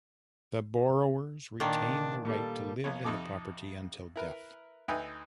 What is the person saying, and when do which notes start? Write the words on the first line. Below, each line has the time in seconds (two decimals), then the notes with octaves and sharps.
The borrowers retain the right to live in the property until death.
1.60 A#2 D#3 D4
2.25 G3 A#3 A4
2.84 A#1 B2 C#5
3.04 F2 C3 D#4 A4 D6
4.16 E4 A#4 B4
4.88 D2 D#4 B4 E5 G5 G#5